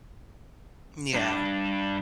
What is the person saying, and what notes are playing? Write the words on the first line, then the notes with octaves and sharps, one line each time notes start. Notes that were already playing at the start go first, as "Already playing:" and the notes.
Mm, yeah.
G2 D4